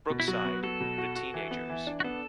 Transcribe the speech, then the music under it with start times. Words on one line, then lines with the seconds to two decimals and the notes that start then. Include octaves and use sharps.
Brookside: The Teenagers.
0.10 B2
0.20 E4
0.28 F#3 F#4
0.45 B3
0.63 F#3 A4
0.80 B2
0.98 F#4
1.16 F#4
1.34 E3
1.51 B3
1.69 E3
1.87 D4
2.00 F#4
2.04 B3 A4